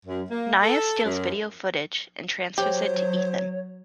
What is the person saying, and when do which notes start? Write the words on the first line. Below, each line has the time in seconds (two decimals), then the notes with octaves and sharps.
Nyah steals video footage and transfers it to Ethan.
0.06 F#2
0.30 A#3
0.63 A4
1.04 F#2
2.58 F#3 G4 C5 C#5